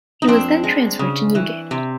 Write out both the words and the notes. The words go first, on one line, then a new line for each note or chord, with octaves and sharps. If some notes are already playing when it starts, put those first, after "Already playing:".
He was then transferred to Newgate.
D#4
F2 C4 D4
G#3
C#3
E3
C3